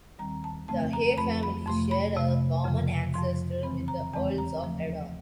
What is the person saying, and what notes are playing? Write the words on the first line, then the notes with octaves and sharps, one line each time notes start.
The Hay family share a common ancestor with the Earls of Erroll.
D#2 D#3 G3 C4 A#5
A5
F2 C#3 F3 A3 C4 A5
A#5
F2 C#3 F3 A3 C4 B5
B5
F2 C3 F3 A3 C6
B5
F2 C3 F3 A3
F2 C#3 F3
F2 C#3 F3 C6
E2 C#3 E3 G#3 C4 B5
A#5
E2 C#3 E3 G#3 C4 A5
A#5
D#2 C#3 F3 A3